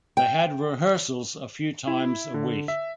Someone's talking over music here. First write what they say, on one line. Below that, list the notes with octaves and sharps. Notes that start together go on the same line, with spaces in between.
They had rehearsals a few times a week.
G5
E4
D3
E5